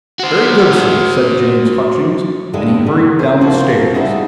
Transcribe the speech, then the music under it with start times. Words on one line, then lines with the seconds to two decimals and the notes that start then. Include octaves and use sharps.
"Very good, sir," said James Hutchings, and he hurried down the stairs.
0.19 F#4 C5
2.53 G2 D3 D#3 G3 G#3
2.86 D#3 G3 B3
3.19 G#4 C5
3.41 F3 A#3 C4 F#4 C5
3.94 C#3 G3 D#4 E4 F#4 G#4